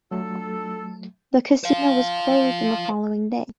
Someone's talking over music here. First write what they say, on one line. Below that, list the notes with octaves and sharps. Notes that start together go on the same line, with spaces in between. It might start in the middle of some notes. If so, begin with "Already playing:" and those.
The casino was closed on the following day.
F#3 A3 D4 F4 A4
C5 F5